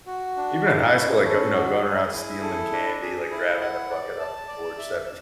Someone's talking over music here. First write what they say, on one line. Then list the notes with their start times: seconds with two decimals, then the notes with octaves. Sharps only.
Even in high school, like, go you know, going around stealing candy, like grabbing the bucket off the porch, that
0.06 F#4
0.36 D4
0.66 E4
0.95 C#4
1.24 A4
1.53 F#4
1.84 G#4
2.13 E4
2.42 A4
2.72 D4
3.02 G#4
3.31 E4
3.60 F#5
3.90 D5
4.19 A5
4.48 D5
4.78 E5